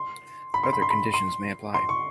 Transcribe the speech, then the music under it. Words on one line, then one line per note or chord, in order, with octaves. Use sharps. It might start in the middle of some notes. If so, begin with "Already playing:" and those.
Other conditions may apply.
Already playing: C6
B5
C6
B5
C6
B5
C6
C6
C#6